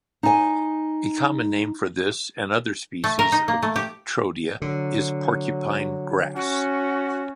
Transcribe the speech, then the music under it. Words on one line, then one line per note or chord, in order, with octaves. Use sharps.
A common name for this and other species of "Triodia" is porcupine grass.
D#4 G#5
A3
A#4
D#4
A#3
A3
G4
D3 F#3
C#4 F#4